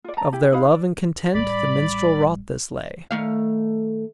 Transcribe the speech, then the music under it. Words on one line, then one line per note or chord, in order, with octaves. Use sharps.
Of their love and content the minstrel wrought this Lay.
F4 D5
A5 A#5
E4 G4 G5
D#4 E4 B4 F5
D5
A1 G3 D5 B5
D#3 A3 F5